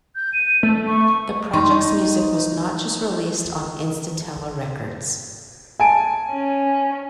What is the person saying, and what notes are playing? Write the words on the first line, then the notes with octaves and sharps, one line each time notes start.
The project's music was not just released on Intastella Records.
G6
D#7
A3
C#6
D#4 C6 C#6
G#5 A5 D7
C#4